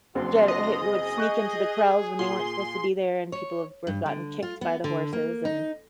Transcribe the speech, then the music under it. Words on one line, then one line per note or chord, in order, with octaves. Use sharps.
get who would sneak into the crawls when they weren't supposed to be there, and people have were gotten kicked by the horses, and
F#1 C4 D4 F#4 C6
D#5
G#4
C#6 F#6 G6
A#2 C6
C#5
G2
D3
F4
B3
D3
A#3
D#4